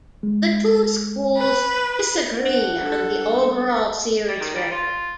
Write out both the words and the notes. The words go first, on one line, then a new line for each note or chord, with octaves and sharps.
The two schools disagree on the overall series record.
G#3
B4
D4 F#5
G3 D4 A4
G3
D#3
G3
F4